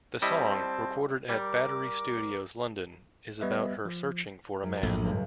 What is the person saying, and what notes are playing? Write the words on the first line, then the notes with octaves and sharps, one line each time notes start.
The song, recorded at Battery Studios, London, is about her searching for a man.
G3 C4 E4 D#5 A5
G3 A#4 D6
G3 B3 B4 D#5 E5
F3
F#2
A#1 A2
C#2 G2